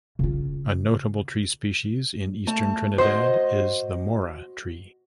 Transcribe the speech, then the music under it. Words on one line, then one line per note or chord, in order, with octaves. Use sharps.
A notable tree species in eastern Trinidad is the "Mora" tree.
C#3 F4
A3 A5
F#4 C5 D#5